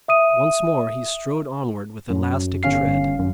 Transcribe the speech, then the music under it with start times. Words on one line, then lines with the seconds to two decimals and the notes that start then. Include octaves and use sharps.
Once more he strode onward with elastic tread.
0.08 E5 D#6 D#7
2.10 F#2
2.63 G1 C#4 F5 C7
3.19 F#2